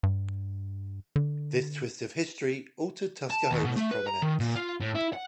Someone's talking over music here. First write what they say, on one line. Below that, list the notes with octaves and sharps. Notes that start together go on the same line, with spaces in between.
This twist of history altered Tuskahoma's prominence.
G2
D3
A5
D#2
B2
A3
B4
A#5
D#3
A#2
F4
A2
E4
F#5